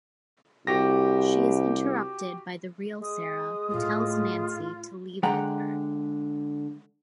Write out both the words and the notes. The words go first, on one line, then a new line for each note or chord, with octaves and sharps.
She is interrupted by the real Sarah who tells Nancy to leave with her.
C2 F#4 G4 A#6
G#3 D#6
A2 F4
D3 G#3 F#5 G5 A#5